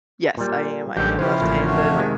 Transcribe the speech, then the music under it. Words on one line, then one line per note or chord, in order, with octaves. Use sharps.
Yes, I am, I am left-handed,
A#2 G3
A1 D3 F#3 G3 G4
C#3 F3 E4 G4 B4 C5
A1 A#2
F2 A3 F#4
C3 D#3 G#3